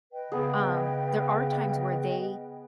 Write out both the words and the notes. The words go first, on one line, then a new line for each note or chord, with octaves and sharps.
Um, there are times where they
B4 D#5 G5
C#3 B3 G#4